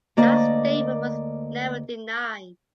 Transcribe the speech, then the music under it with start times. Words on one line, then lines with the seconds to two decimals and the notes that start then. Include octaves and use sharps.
That statement was never denied.
0.17 D2 A#3 D5 D#5